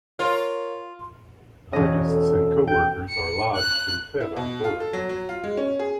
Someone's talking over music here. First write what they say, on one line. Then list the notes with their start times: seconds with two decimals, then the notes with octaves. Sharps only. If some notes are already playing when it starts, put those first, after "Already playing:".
Artists and co-workers are lodged and fed on board.
0.19 F4 A#4 C#5
1.73 E1 C#4 D#5
2.07 A4
2.67 A4 G5 G6
3.09 C#7
3.55 F#6
4.20 E4
4.36 B2
4.64 F4
4.80 A4
4.93 F#3
5.09 F#3
5.29 F4
5.44 G#3
5.57 C#4
5.79 G#4